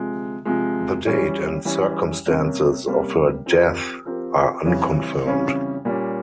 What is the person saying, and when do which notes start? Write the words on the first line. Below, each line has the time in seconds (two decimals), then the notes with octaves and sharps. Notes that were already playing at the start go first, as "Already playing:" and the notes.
The date and circumstances of her death are unconfirmed.
Already playing: C3 F3 G#3
0.45 C3 F3 G#3
1.06 E3 G3 C#4
1.65 E3 G3 C#4
2.26 C3 G3 A#3 C#4
2.86 C3 G3 A#3 C#4
3.46 F3 C4 G4 A#4
4.05 F3 C4 G4 A#4
4.65 F2 C#3 E3 G3 C#4
5.24 F2 C#3 E3 G3 C#4
5.85 A#2 G3 C#4